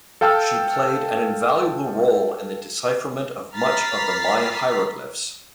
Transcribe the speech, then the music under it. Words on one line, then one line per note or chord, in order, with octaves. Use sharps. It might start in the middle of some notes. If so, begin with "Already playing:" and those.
She played an invaluable role in the decipherment of much of the Maya hieroglyphs.
A4 F5 G5 A5 E6 F6
A#5 B5 F6 A6 B6 C7